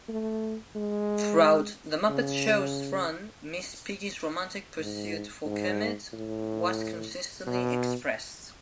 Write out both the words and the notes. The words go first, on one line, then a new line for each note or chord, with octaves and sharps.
Throughout "The Muppet Show"'s run, Miss Piggy's romantic pursuit for Kermit was consistently expressed.
A3
G#3
C#3
G#2
G#2
A2
B2